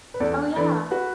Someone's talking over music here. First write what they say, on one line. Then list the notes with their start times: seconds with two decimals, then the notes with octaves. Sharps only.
Oh, yeah.
0.14 B4
0.20 E2 A4 D5
0.56 E3 D4 A4 D5
0.91 F#4 B4